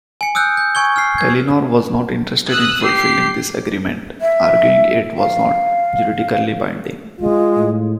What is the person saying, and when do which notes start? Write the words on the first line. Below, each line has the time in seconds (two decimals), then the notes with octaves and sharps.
Telenor was not interested in fulfilling this agreement, arguing it was not juridically binding.
0.21 G#5 C#7
0.35 D#6 E6 F#6 G6
0.57 G6
0.75 G#5 C#6 G#6 G7
0.96 F6 C7
1.18 G#6
2.48 D#6 E6 F#6
2.83 G4 C7
4.21 E5
5.18 F5
7.20 G#3 F4
7.56 A2